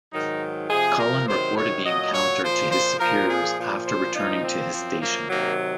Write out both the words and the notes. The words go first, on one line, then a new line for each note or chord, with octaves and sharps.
Cullen reported the encounter to his superiors after returning to his station.
G#2 D#3 F#3 D#4
C3 F3 G#4
A#4
C3 D#3 F#3 C5
C#5
A#2 F#3 D#5
C#5
A#2 F3 C5
C5
A#2 F3 A#4
G#4
A#2 F3
C5
A#2 F3 D#4
C4
F#2 F3
A#3
C3 D#3 F#3 A#3